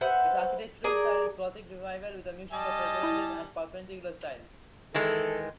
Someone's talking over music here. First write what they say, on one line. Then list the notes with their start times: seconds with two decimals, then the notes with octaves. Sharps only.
Its architectural style is Gothic Revival, with a mixture of Decorated and Perpendicular styles.
0.01 B3 C5 E5 F#5
0.84 G#4 A#4 D5
2.52 G3 D#5 G#5 A5
3.03 E4
4.94 D#3 E3 G#3 A4